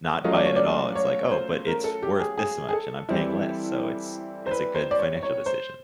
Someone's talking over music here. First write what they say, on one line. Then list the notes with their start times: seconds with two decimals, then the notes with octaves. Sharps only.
not buy it at all, it's like, "Oh, but it's worth this much, and I'm paying less, so it's it's a good financial decision."
0.24 F#3 A3 C#4 F4 D#5
0.35 D5
0.46 C#5
0.56 D5
0.95 C#5
1.31 C5
1.67 A#4
1.84 A4
2.03 G4
2.20 G#4
2.38 G#4
2.69 G#4
2.73 A4
3.09 E3 G3 C4 E4
4.46 C5
4.51 B4
4.75 C5
4.91 D5
4.99 C#5
5.23 C#5
5.46 C5